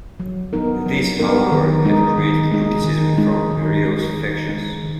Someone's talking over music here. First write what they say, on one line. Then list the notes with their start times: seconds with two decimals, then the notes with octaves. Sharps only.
This however had created criticism from various factions.
0.20 F#3
0.53 B3 D#4 A#4
0.86 F#3
1.19 B3 D#4 A#4
1.52 D#3
1.85 G#3 D#4
2.18 D#3
2.51 G#3 D#4
2.84 D#3
3.17 G#3 D#4
3.51 D#3
3.84 G#3 D#4
4.17 D#3
4.49 G#3 D#4
4.83 D#3